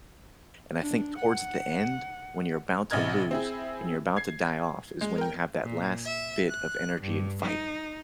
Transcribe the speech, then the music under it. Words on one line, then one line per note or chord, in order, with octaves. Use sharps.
and I think towards the end, when you're about to lose, and you're about to die off is when you have that last bit of energy and fight,
D4
F#5
A1 C3 D#5 F6 G#6
C4 E4 G#4
G#6 C7
G#3
A#4 G5
A#2
E5
F#6
G2
D#4